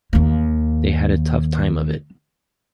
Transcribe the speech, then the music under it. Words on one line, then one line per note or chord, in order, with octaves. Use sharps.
They had a tough time of it.
D#2 A#3